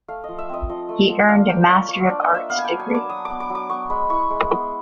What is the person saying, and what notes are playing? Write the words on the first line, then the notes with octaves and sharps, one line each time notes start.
He earned a Master of Arts degree.
A3 F5
F3 D#5
E5
C4 D#5
F3 D#5
A3
F3
D4 F5
A#3 G5
F4 C#5
A#3 C#5
D4 D5
D#5
A#3
E5
B3 F5
G#5
F#3 G5
G#5
D4 D6
F#3 D#6
B3 D6
D6
F#3
D6
B3 C#6
G#3 B5
E4 C#6
G#3
B3